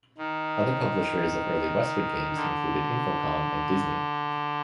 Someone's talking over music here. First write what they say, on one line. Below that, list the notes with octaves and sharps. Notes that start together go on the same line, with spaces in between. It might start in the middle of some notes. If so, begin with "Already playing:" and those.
Other publishers of early Westwood games included Infocom and Disney.
D#3
D3